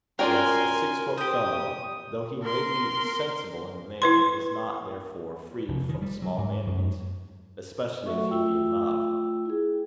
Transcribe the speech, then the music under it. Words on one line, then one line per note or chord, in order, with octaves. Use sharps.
Yes, a six-foot fellow, though he may be sensible in the main, is not, therefore, free from small vanities, especially if he be in love.
F#2 F4 F#4 A#4 D5 G5 G#5 C6
G4 C5 D#6
A#4 C6
E4 B4 C6
F1
D#3
G3
F#3
G#2
F#2
F#3 A3 F#4 A4 E5 C#6
A3 F4 G5 E6
E4 G#4